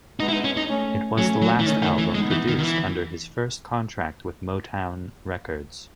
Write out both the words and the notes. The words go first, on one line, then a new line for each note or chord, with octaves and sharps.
It was the last album produced under his first contract with Motown Records.
G#3 B3 D#4
E4
D#4
C#4
D#4
A3 C#4
F#3 A3 C#4
F#3
E3
D#3 A3 C#4
D#3
E3
G#3 B3 D#4
E3
D#3
D#3
E3